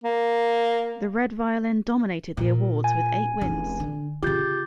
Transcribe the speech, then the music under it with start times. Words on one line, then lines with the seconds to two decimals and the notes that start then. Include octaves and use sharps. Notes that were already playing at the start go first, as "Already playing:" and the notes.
"The Red Violin" dominated the awards, with eight wins.
0.04 A#3
2.37 A#2
2.84 G#5
3.41 F1 C#3
3.80 D3
4.23 C#3 F4 G4 G6 A6